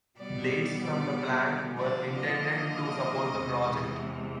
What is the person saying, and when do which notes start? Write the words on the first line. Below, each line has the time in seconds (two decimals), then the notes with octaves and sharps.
Blades from the plant were intended to support the project.
0.18 B2 G3 B3 D5
1.77 D3 F3 A#3 D4 D5
2.17 D#5
3.36 E2 C3 E3 G#3